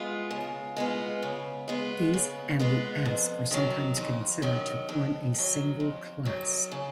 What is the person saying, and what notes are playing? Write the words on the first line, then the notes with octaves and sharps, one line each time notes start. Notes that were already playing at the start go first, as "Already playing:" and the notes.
These and the s are sometimes considered to form a single class.
Already playing: G#3 B3 F4
C#3
G#3 B3 F4
C#3
G#3 B3 F4
C#3
G#3 B3 F4
F2
D#3 F#3
F2
D#3 F#3
F2
D#3 F#3
F2
D#3 F#3
C#3